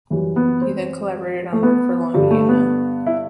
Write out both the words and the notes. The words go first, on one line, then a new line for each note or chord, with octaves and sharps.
He then collaborated on work for Longhena.
F#2 E3 G3
B3
C4
A3
B3
G2 D3 G3
A3
B3
E4